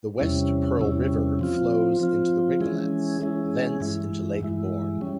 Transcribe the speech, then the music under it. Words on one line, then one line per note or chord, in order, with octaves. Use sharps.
The West Pearl River flows into The Rigolets, thence into Lake Borgne.
E2 C3 G3 C#4 E4
E2 C3 G3 C#4 E4
F3 C4 F4
F3 C4 F4
E3 G#3 C#4 E4 G#4
E3 G#3 C#4 E4 G#4
G2 E3 G#3 E4
G2 E3 G#3 E4
G3 C#4